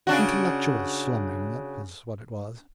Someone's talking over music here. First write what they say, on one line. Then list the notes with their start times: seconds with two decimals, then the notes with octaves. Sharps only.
Intellectual slumming, that was what it was.
0.07 C#3 D4 F#4